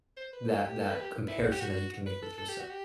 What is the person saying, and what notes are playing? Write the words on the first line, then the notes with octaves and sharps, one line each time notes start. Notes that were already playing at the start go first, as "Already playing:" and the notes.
that that comparison that you can make with yourself
C5
B4
A4
A4
G4
A4
B4
G4
E4
F#4
G4
F#4
B4
A4
A4
G4
F#4
G4